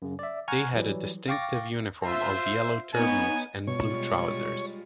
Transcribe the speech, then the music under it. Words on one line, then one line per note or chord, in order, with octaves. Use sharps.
They had a distinctive uniform of yellow turbans and blue trousers.
F#2 C#3
D5 E5
F#5 G#5 A#5 C#6 F6 G#6
E3 F#3 G3
F5 G5 C#6 D6 A6 A#6
F4 C5 E5
B3 D#4 C#5 G#5
B2 G3 G#3 F4 C#5